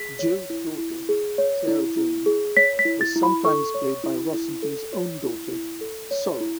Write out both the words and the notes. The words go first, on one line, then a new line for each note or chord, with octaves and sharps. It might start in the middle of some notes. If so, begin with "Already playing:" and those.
Jill's daughter, Sarah-Jane, was sometimes played by Rossington's own daughter, Sorrel.
Already playing: G#4 B6
C#5
E4
E4
G#4
C#5
E4
E4
G#4
C#5 B6
B6
E4
A6
E4
B5
A4 C#6
C#5
E4
E4
A4
C#5
E4
E4
A4
C#5
E4